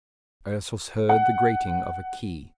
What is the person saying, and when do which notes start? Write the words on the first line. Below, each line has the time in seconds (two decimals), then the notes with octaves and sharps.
Ursus heard the grating of a key.
1.09 F#5